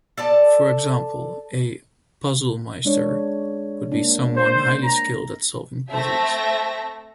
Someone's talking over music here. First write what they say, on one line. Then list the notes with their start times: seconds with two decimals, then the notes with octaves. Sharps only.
For example, a "puzzle-meister" would be someone highly skilled at solving puzzles.
0.18 A4 D5 A5
2.85 G#3 D4 C#5
3.92 A#3 D4
4.36 C5
4.82 A#5
5.93 A3 C4 E5 A5 A#6